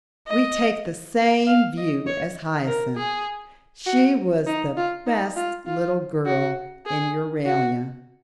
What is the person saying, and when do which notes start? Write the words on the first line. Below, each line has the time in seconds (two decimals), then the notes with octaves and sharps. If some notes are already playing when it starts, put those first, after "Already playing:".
We take the same view as Hyacinth: she was the best little girl in Euralia.
0.28 D#5
1.47 F5
1.77 D#5
2.07 C#5
2.67 A#4
2.97 G#4
3.86 F#4
4.47 D#4
4.77 F4
5.06 D#4
5.36 F4
5.67 F4
6.26 F#4
6.86 G#4
7.46 F#4